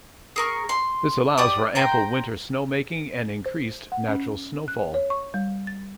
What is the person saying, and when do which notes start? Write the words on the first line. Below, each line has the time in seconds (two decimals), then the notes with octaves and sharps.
This allows for ample winter snowmaking and increased natural snowfall.
0.36 G#4 A#4 C#6
0.69 C6
1.38 G4 D5 D#6
1.75 G5 A#5 C6
3.46 C5
3.92 F#5
4.08 C#4
4.68 F#6
4.94 C#5
5.10 C#6
5.34 G3
5.67 A6